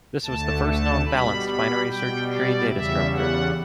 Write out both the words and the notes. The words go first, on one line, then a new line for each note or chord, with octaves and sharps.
This was the first known balanced binary search tree data structure.
D2 D3 A3 A5
A5
B2 G3 B5
B5
B2 G3 G5
D5
E2 C#3 G3 E5
F#5